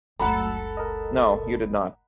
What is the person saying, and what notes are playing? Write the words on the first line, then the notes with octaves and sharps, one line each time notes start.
No, you did not.
F#1 C#2 F#3 A3 A4 F#5 A#5 B5
A#4 D#5